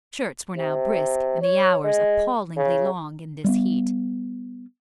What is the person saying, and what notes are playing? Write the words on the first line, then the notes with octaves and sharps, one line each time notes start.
Shirts were now brisk, and the hours appallingly long in this heat.
C3
C#5
G#3
C#3
G3 A3 B3